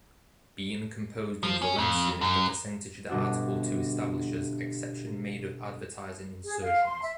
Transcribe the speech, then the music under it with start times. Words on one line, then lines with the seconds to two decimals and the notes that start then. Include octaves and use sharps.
Being composed in Valencian in the percentage that article two establishes, exception made of advertising insertions.
1.43 F3
1.62 C#4
1.78 F2
2.21 F#2
3.09 G1 B2 D4 F#4 E7
6.44 G#4
6.61 F5
6.84 C6
7.01 E5